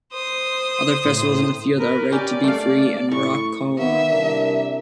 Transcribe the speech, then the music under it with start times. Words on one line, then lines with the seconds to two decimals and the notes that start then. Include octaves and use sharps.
Other festivals in the field are "Right to be free" and "Rock-kola".
0.13 C5 D#6
1.05 A2
1.78 A#4 B4
2.12 C#4 G4 D5
2.44 A3 F5
3.12 A2 C#6
3.78 D#3 A#3 B3 E5
4.10 C2 D4 A#4